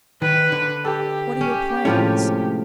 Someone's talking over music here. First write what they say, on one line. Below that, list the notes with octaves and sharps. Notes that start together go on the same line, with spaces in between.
What are your plans?
D#3 B4
D3
G4 A4
C#4
A2 C3 F3 G#3 C#4